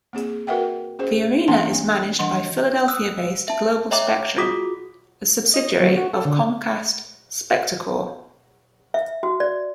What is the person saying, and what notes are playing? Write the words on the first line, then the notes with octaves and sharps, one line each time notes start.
The arena is managed by Philadelphia-based Global Spectrum, a subsidiary of Comcast Spectacor.
A#3 C4 G#4
F#4 A#4 B4 E5 F#5 G5
C#4 G#4 C5
E3 A#3 D4 F#5 G#5 C6
C4
E3 G3 D4 D#5 F#5 C6
D#6 E6 F#6
E5 A5
C#5 D#5 E5 G5 A#5 D6
F4 F#4 G#4 D6 D#6 B6
D#5
F#3
F#4
A4
D3
E5
F#4
D5